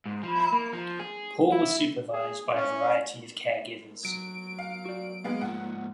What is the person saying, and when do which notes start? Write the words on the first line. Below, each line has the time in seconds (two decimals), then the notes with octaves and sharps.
Paul was supervised by a variety of caregivers.
0.06 G#2
0.23 F3
0.52 A#3
0.73 F3
0.99 G#4
1.52 E4
2.12 G#4
2.55 C#4
4.05 F#3 D7
4.59 F5
4.85 F#4 D5
5.24 G#3 A#3 B3 F5
5.41 G#2 F3 F#5